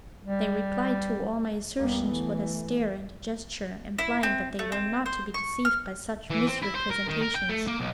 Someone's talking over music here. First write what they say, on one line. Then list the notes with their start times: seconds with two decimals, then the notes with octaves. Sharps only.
They replied to all my assertions with a stare and a gesture implying that they were not to be deceived by such misrepresentations.
0.25 G3
1.77 E2 G3 A#3 B3
2.07 E3 A3
3.99 E4
4.23 C4
4.59 A3
4.72 C4
5.06 C5
5.34 C#6
5.65 F6
6.30 E3
6.47 C4
6.62 E4
6.75 C5
6.90 A#4
7.08 D#3
7.21 A#4
7.35 G5
7.49 A3
7.67 A#3
7.80 B1